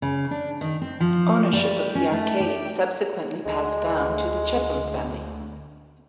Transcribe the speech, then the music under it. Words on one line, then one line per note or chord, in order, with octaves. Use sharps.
Ownership of the arcade subsequently passed down to the Chesham family.
C#3
D4
D#3
C4
F3
G3
C#4
A3
G4
D2 G#3